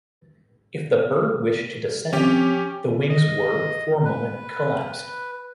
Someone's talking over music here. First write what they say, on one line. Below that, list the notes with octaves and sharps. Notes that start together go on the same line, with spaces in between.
If the bird wished to descend, the wings were for a moment collapsed.
F3 C4 C#4 G4
D#5
B4